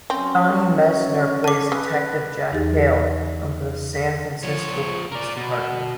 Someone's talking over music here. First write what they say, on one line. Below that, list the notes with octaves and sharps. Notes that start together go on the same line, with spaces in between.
Johnny Messner plays Detective Jack Hale of the San Francisco Police Department.
F#3 C4 C#4
A5 D6
C#3 B4
E2 E3 D#4 G4 G#4 A6
F3 C#5
A#4 D5
B2